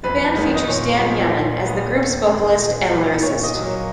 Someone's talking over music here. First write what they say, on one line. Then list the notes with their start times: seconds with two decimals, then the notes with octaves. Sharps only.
The band features Dan Yemin as the group's vocalist and lyricist.
0.04 F2 B4
0.35 D#3 G#3 B3
0.55 D#5
0.67 A#2 C#5
0.99 F3 G#3
1.31 A#2
1.63 G#3 B3
1.95 D#2
2.27 D#3 G#3
2.59 A#2
2.90 G#3 B3
3.22 A#2 C#5
3.43 D#5
3.54 F#3 A#3
3.65 C#5